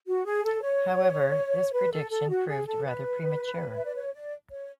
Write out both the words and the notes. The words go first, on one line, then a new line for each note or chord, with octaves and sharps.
However, this prediction proved rather premature.
F#4
G#4
A4
C#5
B4
A4
A4
F#4
G#4
A4
B4
E5
D5
C#5
D5
C#5